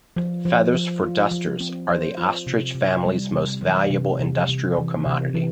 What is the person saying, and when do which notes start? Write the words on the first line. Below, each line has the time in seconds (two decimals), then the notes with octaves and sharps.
Feathers for dusters are the ostrich families most valuable industrial commodity.
0.16 F3
0.45 F3
0.74 F3
1.03 F4
1.31 F3
1.60 C4
1.90 C5
2.17 F4
2.47 C3
2.75 C3
3.05 G3
3.33 C3
3.61 E3
3.90 C3
4.19 C3
4.48 C3
4.77 E3
5.06 C3
5.34 E3